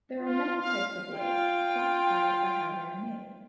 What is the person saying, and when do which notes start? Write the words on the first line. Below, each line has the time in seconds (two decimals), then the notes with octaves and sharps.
There are many types of lace, classified by how they are made.
0.18 F4
0.56 F5
1.17 F4 G5